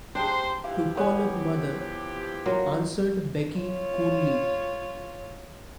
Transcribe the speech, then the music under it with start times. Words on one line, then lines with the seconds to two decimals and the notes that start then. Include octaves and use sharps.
"To call up mother," answered Becky coolly.
0.15 A#3 D4 G4 G#4 C5 G5
0.64 E3 F3 G4 F5
0.97 B3 C#5 G#5
2.46 F#3 A#3 F4
3.57 F4 C#5